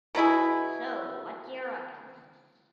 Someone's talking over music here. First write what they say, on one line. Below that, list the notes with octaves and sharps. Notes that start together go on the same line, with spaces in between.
'So What Do You Reckon?
B2 F#3 E4 G#4